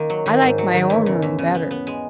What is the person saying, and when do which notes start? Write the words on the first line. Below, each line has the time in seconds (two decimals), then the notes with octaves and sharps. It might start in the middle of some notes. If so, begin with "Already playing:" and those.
I like my own room better.
Already playing: D#3 A#3
0.10 F#3
0.26 D#3
0.42 G#2
0.58 F#3
0.74 D#3
0.90 E2
1.06 C#3
1.22 E2
1.38 C#3
1.55 B3
1.71 B3
1.87 G#3